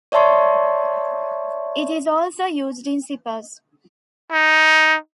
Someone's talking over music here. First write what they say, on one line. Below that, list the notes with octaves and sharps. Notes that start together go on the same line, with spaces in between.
It is also used in zippers.
C#5 D5 E5 A5 C6 C#6
D#4